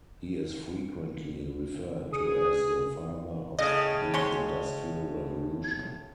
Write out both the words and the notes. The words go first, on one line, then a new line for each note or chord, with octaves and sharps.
He is frequently referred to as the Father of the Industrial Revolution.
G#4 D#6
A2 C#3 D#5
G#3 C#4 C6